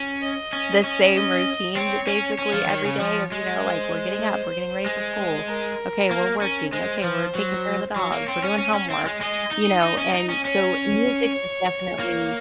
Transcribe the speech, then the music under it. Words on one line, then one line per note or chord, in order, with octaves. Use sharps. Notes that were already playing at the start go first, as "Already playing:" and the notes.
the same routine basically every day of, you know, like, "We're getting up, we're getting ready for school; okay, we're working, okay, we're taking care of the dogs, we're doing homework," you know? And so, music is definitely
Already playing: C#4
D#5
C#4
C#4
D#5
C4 C#5
C#4
C#4
F3
D#3
C#3
F3
G#3
C5
G#3
A#4
A#3
C#4
G#3 C5
F3
F#3
F#3 C#5
A#3
C4
C#4
C#4
C#4
C4
G#3
G#3 D#5
D#4
D#4
C#4
D#4
C#4
C#4 C#5
A#3